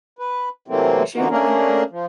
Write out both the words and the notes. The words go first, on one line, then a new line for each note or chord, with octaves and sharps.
A shade loving plant.
B4
C3 E3 F#3 A3 A#3 C4
D3 E3 A#3 D#4 F4 F#4
A3 A#3 C#4 D4 G#4 A#4
F3